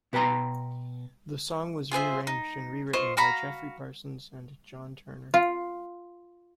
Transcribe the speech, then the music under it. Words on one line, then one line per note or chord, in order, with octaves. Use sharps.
The song was re-arranged and re-written by Geoffrey Parsons and John Turner.
B2 B4 G5 A#5 C6
F4 G#4 C5 E5
D#4
F4 C5 D#5 C#6
F#4 F5 A#5 B5
F4